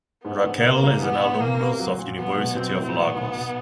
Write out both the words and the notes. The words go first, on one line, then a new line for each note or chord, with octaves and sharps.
Raquel is an alumnus of University of Lagos.
G#2 B3
A#1
B2 A#3
C2
E3 B3
A2
E3 A#3
C3
F#3
A#2
F#3 B3
B2
F#3 C4
A2
A#2 B3
B1
B2